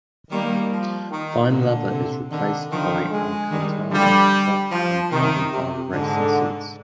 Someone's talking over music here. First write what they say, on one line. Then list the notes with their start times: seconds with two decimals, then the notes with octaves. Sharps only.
Fine leather is replaced by alcantara, cloth, and carbon fiber racing seats.
0.30 D#3 G3 A#3
0.71 F3
1.10 D#3
1.50 A#2 D3
1.91 C3
2.31 D3 D#3
2.71 D3 D#3 F3
3.11 G#3
3.51 D#3 G3
3.91 D3 F3 G3
4.71 F3
5.11 C3 D#3
5.51 C3
5.92 G#2 D3